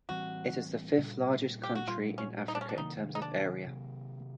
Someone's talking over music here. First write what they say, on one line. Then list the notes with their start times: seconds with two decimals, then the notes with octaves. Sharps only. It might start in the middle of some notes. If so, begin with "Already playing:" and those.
It is the fifth largest country in Africa in terms of area.
0.09 A2 E3 G3 C4 F#4
0.98 A#2 G3 A#3
1.63 G4
1.75 F#4
1.88 A#2 G3 A#3 F4
2.18 C#4
2.48 D#4
2.55 D4
2.61 C#4
2.69 D4
2.78 C3 D#3 F#3 A#3 D#4
3.15 D#4
3.22 D4
3.67 C3 D#3 F#3 A#3